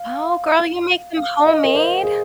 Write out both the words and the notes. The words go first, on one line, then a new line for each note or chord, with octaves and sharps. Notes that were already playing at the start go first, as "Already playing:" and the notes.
Oh, girl, you make them homemade?
Already playing: F5
F5
D#5
A#4
C5
G#4